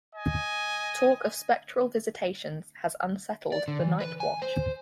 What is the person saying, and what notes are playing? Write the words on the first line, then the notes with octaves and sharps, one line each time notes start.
Talk of spectral visitations has unsettled the night watch.
D#5 G#5
D5
D3
E3
B4
G#5
C5